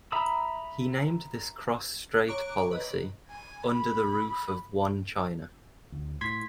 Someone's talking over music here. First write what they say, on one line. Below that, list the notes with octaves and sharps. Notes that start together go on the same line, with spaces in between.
He named this cross-strait policy "Under the Roof of One China".
E5 A#5 B5 D#6 E6
C#5 A#5 C#6 D6 F#6 D7
B4 D#5
G#5
B5
D2
A2 C6 G#6 B6